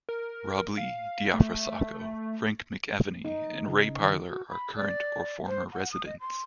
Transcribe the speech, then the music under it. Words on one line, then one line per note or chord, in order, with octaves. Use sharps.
Rob Lee, Diafra Sakho, Frank McAvenie and Ray Parlour are current or former residents.
A#4
F5
A3
D#4
C#3
D#3
F#4
B5
D5
C5
F#5
D#6
D#5
C6